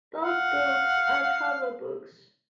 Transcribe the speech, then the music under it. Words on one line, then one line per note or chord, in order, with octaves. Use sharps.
Both books are travel books.
F5 F#5